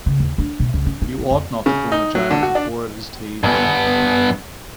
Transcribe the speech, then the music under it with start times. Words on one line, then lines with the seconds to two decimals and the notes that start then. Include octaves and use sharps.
You ought not to comb a child before it has teethed.
0.06 C#3
0.20 D#2
0.38 D4
0.60 B2
0.74 C#2
0.86 C#4
1.02 D#4
1.19 B3
1.31 F2
1.66 C#3
1.92 D#4
2.15 F#3
2.30 D3
2.43 F#4
2.55 D4
3.43 G2 B3